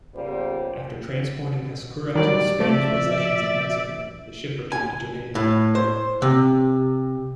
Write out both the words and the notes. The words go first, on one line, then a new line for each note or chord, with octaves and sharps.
After transporting Hasekura to the Spanish possessions of Mexico, the ship returned to Japan.
C#3 G3 A#3 B3 F4 C5
D#3 F#3 G3 D5
F3 A3 D5 E5
G#5
A2
C5
C3